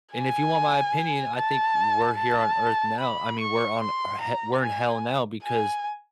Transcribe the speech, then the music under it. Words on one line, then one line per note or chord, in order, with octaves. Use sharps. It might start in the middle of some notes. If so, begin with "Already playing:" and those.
And if you want my opinion, I think we're here on earth now. I mean, we're on he we're in hell now because
G#5
A5
A5
B5
C#6
C6
A#5
G#5
G#5